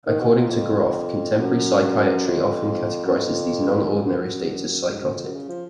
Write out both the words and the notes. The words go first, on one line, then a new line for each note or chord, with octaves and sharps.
According to Grof, contemporary psychiatry often categorizes these non-ordinary states as psychotic.
D#3
B2
A#2
F2
F#2
F2
F#2
F2
F#2
G#2
F#2
F2
F#2
C#3
F3